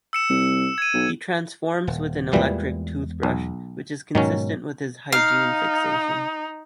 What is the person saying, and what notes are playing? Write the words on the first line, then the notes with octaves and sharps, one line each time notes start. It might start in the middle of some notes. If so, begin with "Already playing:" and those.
He transforms with an electric toothbrush, which is consistent with his hygiene fixation.
E6 C#7 E7
C2
G#6 D#7
B1
D#1
E2 A#2 E3 G3 G#3
B1
G#2 B2 D#3 F#3 C#4
D#4 F5